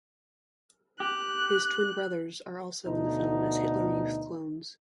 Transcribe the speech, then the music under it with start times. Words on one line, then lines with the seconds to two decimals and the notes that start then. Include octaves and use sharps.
His twin brothers are also in the film as Hitler Youth clones.
1.00 G4 F#6
2.86 D2 B2 A3 D#4